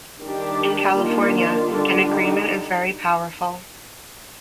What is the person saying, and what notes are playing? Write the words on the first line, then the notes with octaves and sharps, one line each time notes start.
In California, an agreement is very powerful.
D#3 G3 D4 G4
D#3 A#3 D4 F4
D3 G3 D4
D#4